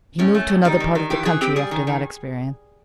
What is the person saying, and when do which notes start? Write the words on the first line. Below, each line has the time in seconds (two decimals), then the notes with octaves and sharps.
He moved to another part of the country after that experience.
0.19 A2 C#4
0.35 A3
0.50 A2
0.65 G3 D#4
0.80 D#3
0.95 D#3
1.10 E3 G4
1.25 E3 G#4
1.41 C4 G4
1.56 G3 G#4
1.71 D#3
1.87 D#3